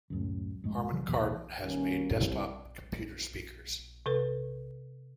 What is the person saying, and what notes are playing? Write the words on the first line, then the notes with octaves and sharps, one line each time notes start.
Harman Kardon has made desktop computer speakers.
C#2 F#2 A2
F1 G#2 G#3
C3 E3 F#3
D#2 B2 E3
D#3 G3 A#3 B3 C#4
C2
C3 A4 B4